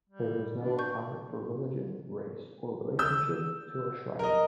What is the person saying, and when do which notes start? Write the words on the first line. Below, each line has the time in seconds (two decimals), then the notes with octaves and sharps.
There is no requirement for religion, race, or relationship to a Shriner.
0.09 G3
0.58 D4
0.79 C#6 G6
2.99 E6 G6
4.19 A#4 D#5